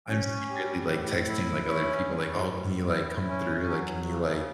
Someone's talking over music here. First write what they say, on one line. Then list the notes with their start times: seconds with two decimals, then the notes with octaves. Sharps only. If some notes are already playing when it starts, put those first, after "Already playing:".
I'm secretly, like, texting, like, other people, like, oh, can you, like, come through? Like, can you, like,
0.09 C#4
0.49 G3
0.89 A2
1.28 E4
1.68 C#4
2.07 G3
2.48 A2
2.88 E4
3.28 C#4
3.67 F#3
4.07 C#3